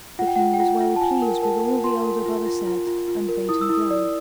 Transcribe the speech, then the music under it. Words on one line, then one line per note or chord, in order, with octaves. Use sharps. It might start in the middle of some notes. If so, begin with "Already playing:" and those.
The king was well pleased with all the elder brother said, and bade him go.
F4 F#5
G5
F4 F#5
G5
F4 F#5
F4
A5
F4 G#5
A#4
A#4 A5
A#4
F4 C6
A#4
F4
F4
F4
F4
F4
A#4
E4 D#6
E6
E4 D#6
D5